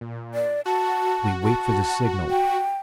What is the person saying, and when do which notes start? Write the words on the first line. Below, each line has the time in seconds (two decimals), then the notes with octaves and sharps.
"We wait for the signal."
0.01 A#2
0.34 D5
0.66 F#4 A5
1.44 A5
2.30 G5